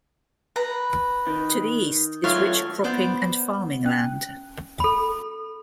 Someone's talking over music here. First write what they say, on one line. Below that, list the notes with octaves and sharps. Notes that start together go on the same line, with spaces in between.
To the east is rich cropping and farming land.
B4 A#5
D#3
F#3 A3 F4 C#5 F5
B3 C5 D5 D6
C#4
A4 B5